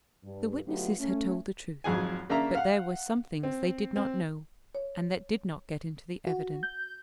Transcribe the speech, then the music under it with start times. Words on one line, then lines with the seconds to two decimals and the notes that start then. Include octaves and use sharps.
The witnesses had told the truth, but there were some things they did not know and that did not get into the evidence.
0.24 G2
0.67 D3 F#3 A3 B3 F4 G4
0.99 A3 C#4
1.84 G#1 F2 F#3 G#4 G#5
2.29 C#3 A#3 D4 E5 A#5
2.55 F5 F#5
3.43 C4
3.96 C4
4.75 C#5
6.27 F#4
6.63 G6